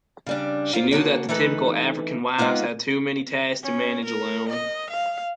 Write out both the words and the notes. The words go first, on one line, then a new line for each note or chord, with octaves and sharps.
She knew that the typical African wives had too many tasks to manage alone.
C#3 G3 D4
F4 A#4 C5
C#3 A#3 F#4 A5
E3 A3 D#4 A4 B4
G#3 A#3 B3 D#4 F4
C#4
A#4
D#5
F5